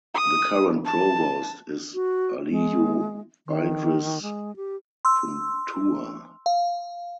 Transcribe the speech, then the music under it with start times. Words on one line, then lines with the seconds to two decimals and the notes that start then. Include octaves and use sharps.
The current Provost is Aliyu Idris Funtua.
0.14 D#6
0.85 A5
1.94 F#4
2.50 G#3
3.47 D#3
4.22 G#3
4.56 G4
5.05 C6 E6
6.46 F5